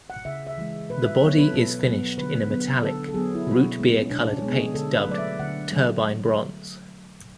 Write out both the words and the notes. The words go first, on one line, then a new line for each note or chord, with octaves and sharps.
The body is finished in a metallic, root beer-colored paint dubbed "turbine bronze".
F#5
C#3 E5
E5
E3 G#3
B2 B4
E5
F#3 B3 C#5
B4
A4
B2 B4
F#3 B3
D3 B4
F#3 B3
D3 A4
A4
F#3 B3 G#4
E4
B2 F#4
G#3 B3
C#4
B2 D4
C#4
G#3 B3
G#4
D3 A4
B4
F#3 A3 D5
E5
D3 F#5
F#3 A3